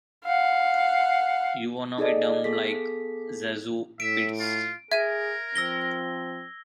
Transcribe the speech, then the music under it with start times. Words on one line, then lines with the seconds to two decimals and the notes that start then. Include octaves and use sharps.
You wanna be dumb like ZaSu Pitts?
0.24 F5 F#5
1.98 D#4 G#4 A4 D5 D#5
2.44 B3 G#4 A4 B6
4.00 A2 E5 D7
4.39 F4
4.92 G#4 A#4 E5 G#6 D#7
5.55 F3 C4 E6 A#6 G7